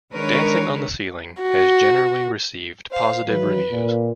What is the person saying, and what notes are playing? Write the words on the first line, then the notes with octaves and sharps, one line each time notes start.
"Dancing on the Ceiling" has generally received positive reviews.
D#3 G#3 D4 A#4 B4 C#5
F#4
C5 F5
D#3 E3 F#3 B4
A#2